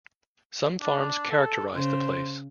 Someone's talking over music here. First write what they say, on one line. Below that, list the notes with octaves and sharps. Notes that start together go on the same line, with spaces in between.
Some farms characterize the place.
D4
A4
C#3 C5